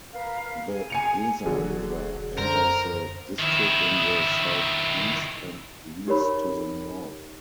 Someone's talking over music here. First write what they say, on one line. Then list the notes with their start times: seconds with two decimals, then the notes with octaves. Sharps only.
The Weser River enters the district in the southeast and leaves to the north.
0.12 A#4 B4 F5
0.66 G#4
0.90 G#5 C#7 F7
1.46 E1 D3 F#3 G#4
2.38 F#2 D3 A#4 C5
3.39 D#3 E4
6.07 D#4 G4 A#4 C#5 B5